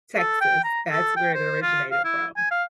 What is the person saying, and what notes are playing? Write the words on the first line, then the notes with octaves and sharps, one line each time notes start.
Texas, that's where it originated from.
A4
G5
A#5
A4
G5
C5
F4
F5
E4
G#5
F5